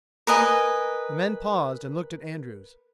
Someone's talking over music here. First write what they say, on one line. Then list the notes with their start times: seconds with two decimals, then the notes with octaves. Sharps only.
The men paused and looked at Andrews.
0.27 A#4 B4 D#5 G#5